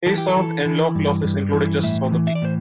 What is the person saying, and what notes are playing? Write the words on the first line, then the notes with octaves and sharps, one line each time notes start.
He served in local office including justice of the peace.
E3 A4
G4
A4
E3
E3
G2
G2
E3
A2 E5
E3
E5
D5
A2 C5